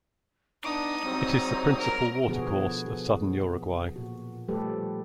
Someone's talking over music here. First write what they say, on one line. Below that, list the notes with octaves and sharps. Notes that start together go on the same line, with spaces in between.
It is the principal watercourse of southern Uruguay.
B3 D4 D#4 D#6
G#2 F#3 G3 C4
A#4
B2 D3 F3 B3 F#4 G#4
A#2 F#4
F3 G3 A3 G4 A4 B4